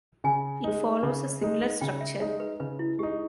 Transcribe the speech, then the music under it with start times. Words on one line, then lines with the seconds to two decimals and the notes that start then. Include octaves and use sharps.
It follows a similar structure.
0.24 C#3 G#5
0.64 G#3 D#4
1.03 C#3
1.41 G#3 D#4
1.81 C#3 G5
2.01 E5
2.20 G#3 D#4
2.40 B4
2.60 C#3 B4
2.79 E4
2.98 G#3 D#4 G4